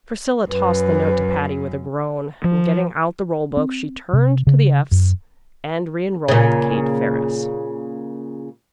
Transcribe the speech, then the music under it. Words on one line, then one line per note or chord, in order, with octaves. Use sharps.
Priscilla tossed the note to Patty with a groan, and getting out the roll-book, she turned to the F's and reenrolled Kate Ferris.
F#2 B4
F3
C4
C3
C#3
F#2
A#2 C#3